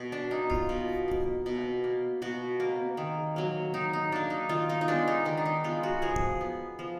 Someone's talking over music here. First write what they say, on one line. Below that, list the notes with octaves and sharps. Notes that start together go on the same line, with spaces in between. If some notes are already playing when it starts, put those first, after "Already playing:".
Right, well let's poke around his lab a little.
Already playing: B2
D4
A#3 D#4
F4
B2
A#3
B2
A#3
B2 F#4
A#3
D#3
F#3 A#3
D#3 D#4
D#4
F#3 A#3 D4
D#4
D#3 F4
D#4
D#4
G#3 B3 D4
D#4
D#3 D#4
D4
D#4
G#3 B3 F4
F#4
F3 G#4
B3
F3